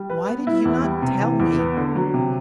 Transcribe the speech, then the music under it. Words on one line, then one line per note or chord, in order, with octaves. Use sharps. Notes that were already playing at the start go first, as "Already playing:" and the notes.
"Why did you not tell me?"
Already playing: G3
B4
B3
E4
E2
G3
C3
E3
E2
B3
D3
F#3
C3